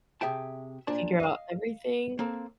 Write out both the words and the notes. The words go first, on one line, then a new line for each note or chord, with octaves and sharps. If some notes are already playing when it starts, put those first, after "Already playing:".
figure out everything.
C3 G#4 E5 G5 A5
A#2 D4 D5 A5
D#5 F5
A#3 C4 A4